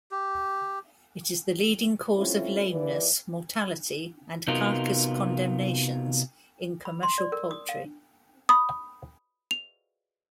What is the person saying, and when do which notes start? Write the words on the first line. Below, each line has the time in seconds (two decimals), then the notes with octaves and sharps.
It is the leading cause of lameness, mortality, and carcass condemnations in commercial poultry.
0.11 G4
2.15 A3 C4 C#4 E4 F4
2.69 D#2 E3 E4 B4 D5
4.47 C3 B3 D#4 F4 F#4 A#4
6.85 B5
7.03 C6
7.18 D5
7.32 A#4
7.51 D#6
7.69 F5
8.49 B5 D#6
9.51 F7